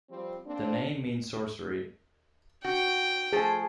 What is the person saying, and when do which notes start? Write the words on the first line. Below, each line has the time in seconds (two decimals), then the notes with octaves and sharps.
The name means sorcery.
0.10 F3 G3 C4
0.46 A#3 C4 D4
2.64 F#4 G5
3.33 F3 A3 G#4 C5 G#5